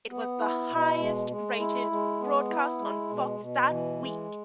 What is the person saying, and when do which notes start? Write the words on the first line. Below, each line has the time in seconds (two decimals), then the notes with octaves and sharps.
It was the highest-rated broadcast on Fox that week.
0.10 B3
0.40 E4
0.71 B2
1.00 G#3
1.30 G#3
1.60 E4
1.91 G#3
2.21 B3
2.50 E4
2.80 G#3
3.10 B2
3.40 B2
3.70 E3
4.01 G#3